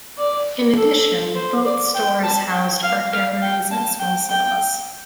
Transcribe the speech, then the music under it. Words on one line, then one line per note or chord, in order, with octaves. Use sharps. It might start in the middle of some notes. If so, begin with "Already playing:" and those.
In addition, both stores housed art galleries and small cinemas.
D5
A4
C5
D5
G5
A5
G5
F5
F5
G5
A5
G5
G5